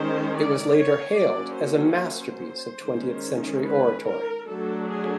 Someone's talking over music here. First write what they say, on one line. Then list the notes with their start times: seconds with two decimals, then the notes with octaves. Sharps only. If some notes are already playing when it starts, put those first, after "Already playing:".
It was later hailed as a masterpiece of twentieth century oratory.
Already playing: D#3 G#3 C#4 C5
0.35 D5
0.76 C#5
1.16 F#3 A#3 C#4 D5
1.57 C5
2.82 D#3 G#3 C#4
3.64 B4
4.05 A#4
4.47 F#3 A3 D4 A4
4.88 G#4